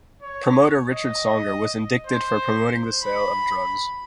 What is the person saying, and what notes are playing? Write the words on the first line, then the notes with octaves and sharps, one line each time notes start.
Promoter Richard Songer was indicted for promoting the sale of drugs.
C#5
D#5
C5
B5